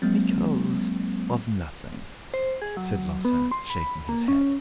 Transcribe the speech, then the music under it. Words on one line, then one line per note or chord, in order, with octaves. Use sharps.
"Because of nothing," said Larsan, shaking his head.
F#3 G#3 A#3 C4
C5
G#4
F#3
B3
C6
B5
A#3
C#4